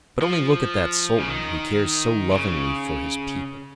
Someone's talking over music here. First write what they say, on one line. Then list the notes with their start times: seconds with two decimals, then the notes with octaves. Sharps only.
But only look at that Sultan who cares so lovingly for his people.
0.22 F3
1.19 C#3
1.27 D#3
2.32 C#3